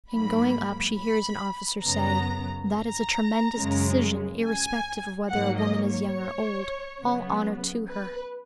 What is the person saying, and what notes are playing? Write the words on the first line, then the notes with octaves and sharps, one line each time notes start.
In going up she hears an officer say, 'That is a tremendous decision irrespective of whether a woman is young or old; all honor to her!'
G#2 F#3 A#3 B5
B5
F#2 C#3 F#3 B3 A#5
A#5
F#2 C#3 G#3
G#5
G#2 F#3 A#3 F#5
D#5
C#5
C#3 F#3 B3
B4